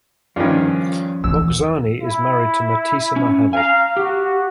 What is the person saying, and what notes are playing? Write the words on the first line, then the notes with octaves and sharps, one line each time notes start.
Mokhzani is married to Mastisa Mohamed.
G2 D#3 F3 C#4
D#2 E3 E6
E4
C#4
F5 G#5 A#5
F#4 G4